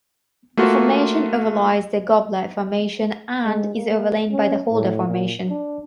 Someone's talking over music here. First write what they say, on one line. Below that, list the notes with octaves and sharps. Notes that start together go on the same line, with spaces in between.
The formation overlies the Gobbler Formation and is overlain by the Holder Formation.
A3 A#3 F4 F#4
G#3
A#3
C#4
A2
A#2
D4